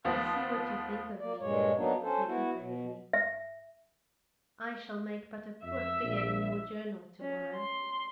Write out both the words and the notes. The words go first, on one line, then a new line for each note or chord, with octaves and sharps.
"I see what you think of me," said he gravely--"I shall make but a poor figure in your journal tomorrow."
D#2 F3 B3
A#3 D5
G2 A#2 G#3 C#5
F#3 A#3 B3 D4 D#4
C#4 A4 C5
B3 E4 F#4
B2
E5
F2 E5
A#1
C#4
C6